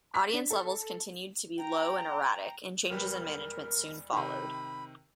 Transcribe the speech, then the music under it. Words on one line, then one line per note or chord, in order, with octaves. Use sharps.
Audience levels continued to be low and erratic and changes in management soon followed.
B6
D4
A4
G5 A#5
E1 G3 A#4 B4
C3 D#3 B5